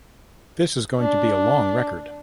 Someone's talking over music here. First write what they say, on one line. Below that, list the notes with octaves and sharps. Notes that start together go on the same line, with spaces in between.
This is going to be a long record.
D4